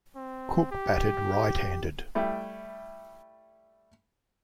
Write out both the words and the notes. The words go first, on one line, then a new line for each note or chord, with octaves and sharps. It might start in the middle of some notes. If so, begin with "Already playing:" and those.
Cook batted right handed.
C4
G4
G3 A3 E4